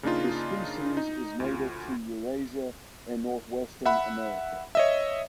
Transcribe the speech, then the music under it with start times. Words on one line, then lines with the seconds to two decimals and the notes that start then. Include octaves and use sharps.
The species is native to Eurasia and Northwestern America.
0.03 C#3 A#3 D4 D#4 F4
0.97 D#4
1.40 D2 F4
3.86 E5 F#5 B5
4.75 C#5 D#5 E5